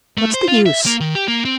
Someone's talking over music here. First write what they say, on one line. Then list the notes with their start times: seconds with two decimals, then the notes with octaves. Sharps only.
What's the use?
0.18 A3
0.34 C5
0.48 F4
0.66 E5
0.86 A#3
1.00 D#3
1.15 G4
1.28 A#3
1.45 C4